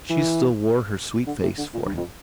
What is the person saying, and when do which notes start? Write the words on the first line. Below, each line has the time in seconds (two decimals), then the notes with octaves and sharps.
She still wore her sweet face for him.
0.10 E3
1.27 D3
1.43 C3
1.58 D3
1.74 A#2
1.86 G2
1.97 F2